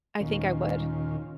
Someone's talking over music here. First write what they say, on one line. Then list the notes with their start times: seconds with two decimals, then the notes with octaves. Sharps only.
I think I would.
0.20 D#2 A#2 D#3 C#4 F4